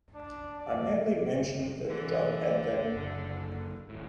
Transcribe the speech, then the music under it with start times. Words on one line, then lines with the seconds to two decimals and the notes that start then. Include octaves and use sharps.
I merely mentioned that Job had them.
0.15 D4
0.58 D5
1.90 D3 E3
2.95 F#1
3.89 D#1 A2